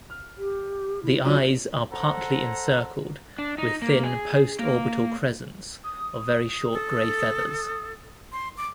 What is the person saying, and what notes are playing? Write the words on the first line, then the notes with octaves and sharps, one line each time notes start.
The eyes are partly encircled with thin post-orbital crescents of very short grey feathers.
F6
G4
E4
F#3 C#4 D4 F4
A4 C5 F#5 A#5
D4
D#4
A#3
G#4
A#3
D#6
A4
C6
D6